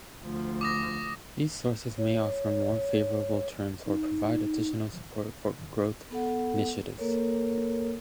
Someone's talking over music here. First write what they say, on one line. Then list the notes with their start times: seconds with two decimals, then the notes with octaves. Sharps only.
These sources may offer more favorable terms or provide additional support for growth initiatives.
0.22 D2 F3
0.61 D6 D#6 A#6
1.98 C#5
3.86 D#4
6.11 B3 A4 F#5
6.98 A#3 A4 A#4 C#5